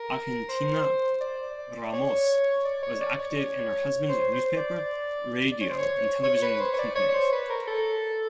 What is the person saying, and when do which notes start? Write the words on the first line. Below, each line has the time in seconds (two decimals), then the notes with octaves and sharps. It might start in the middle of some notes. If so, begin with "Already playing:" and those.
Argentina Ramos was active in her husband's newspaper, radio and television companies.
Already playing: A#4
0.49 C5
1.21 D5
1.94 C#5
2.65 D5
2.83 C#5
3.01 D5
3.19 C#5
3.36 C#5
4.09 C5
4.33 C5
4.56 D5
5.52 D5
5.61 C#5
5.70 C5
5.78 C#5
6.23 C#5
6.42 B4
6.60 C5
6.73 C#5
6.78 D5
6.95 C#5
7.14 C5
7.32 B4
7.50 A#4
7.68 A4